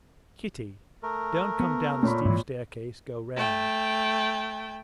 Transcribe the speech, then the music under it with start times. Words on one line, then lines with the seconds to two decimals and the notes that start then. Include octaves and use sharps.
"Kitty, don't come down the steep staircase, go round."
1.03 A3 A#4
1.60 B3
2.03 A#2 C#5 B5
2.25 G#2 E3 E4
3.36 A3 G5